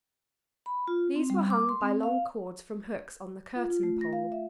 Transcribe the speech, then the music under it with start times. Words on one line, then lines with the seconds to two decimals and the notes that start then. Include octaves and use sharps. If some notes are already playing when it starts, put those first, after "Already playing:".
These were hung by long cords from hooks on the curtain-pole.
0.66 B5
0.88 F4
1.16 C4
1.30 G3
1.50 D6
1.69 C6
1.81 C4
2.03 F5
3.56 F4
3.70 F4
3.83 A3
4.01 A#6
4.13 F5
4.32 E5